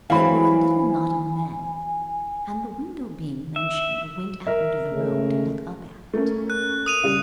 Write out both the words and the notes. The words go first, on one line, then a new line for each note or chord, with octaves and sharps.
They were a little knot of men, and, the window being mentioned, went out into the road to look up at it.
E3 F#3 C4 F5 G#5 B5
E5
A#4 E5
C#3 G#3 A3
A3 A#3 C#4
F#6
D#6 D#7 F7
C#3 G3